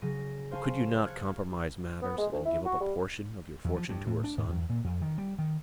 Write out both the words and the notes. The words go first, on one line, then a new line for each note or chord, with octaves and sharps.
"But could you not compromise matters, and give up a portion of your fortune to her son?"
C#3 F#3 A#6 D#7
C5 F5 G#5 A5 C#6
F6 F#6 G#6 C#7
B3
G#3
D2
E4
F#4
G3
E2
F3
G2
A2
D4
G#2
E2
A#2
F2
D#3
G3
D#3